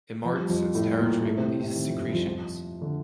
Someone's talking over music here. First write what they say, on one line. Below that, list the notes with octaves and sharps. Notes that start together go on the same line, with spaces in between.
It marks its territory with these secretions.
F3
G3
F2 F3
A2 A3
A#2 A#3
A2 A3
C3 C4
C3 C4
D#3
F2 F3
G2 G3
F2 F3
F2 F3
D3